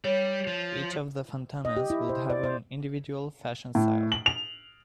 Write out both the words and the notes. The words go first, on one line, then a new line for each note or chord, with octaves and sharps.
Each of the Fantanas would have an individual fashion style.
G3 C#5
F3
D#5
G4
E4
C5
D5
C5
A2
F#7
F7